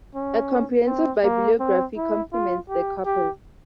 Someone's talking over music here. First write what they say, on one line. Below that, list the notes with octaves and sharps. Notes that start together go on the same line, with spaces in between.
A comprehensive bibliography complements the corpus.
C#4
C4
A#3
C4
E4
F4
G4
G4